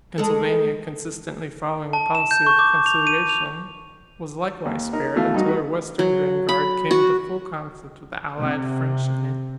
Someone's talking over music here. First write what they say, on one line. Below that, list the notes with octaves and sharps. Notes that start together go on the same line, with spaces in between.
Pennsylvania, consistently following a policy of conciliation, was likewise spared until her western vanguard came into full conflict with the allied French and Indians.
G#3 A4
A5
E7
G6
C#6
D6
F7
D#7
F7
D#2
D#4 A#4
B2 E3 A3 F5
G2 D#4 F#4
F#4 B4
F#3
B5
F#4
C3